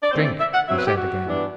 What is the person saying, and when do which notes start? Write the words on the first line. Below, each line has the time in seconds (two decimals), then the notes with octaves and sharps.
"Drink!" he said again.
0.03 D5
0.11 C3 E3 A3 C4 C5
0.25 D5
0.39 E5
0.54 F#5
0.68 B2 F#3 C4 E5
0.78 B4
0.87 G4
0.97 F#4
1.25 G2 E3 B3 D4